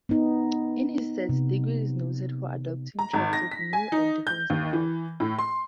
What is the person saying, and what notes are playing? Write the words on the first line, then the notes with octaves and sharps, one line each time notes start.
In his sets, Digweed is noted for adopting tracks with new and different styles.
B3 D#4
C3
A#5
G#1
A#6
B6
G#5
D#4
G6
D#2
E3
A2
C6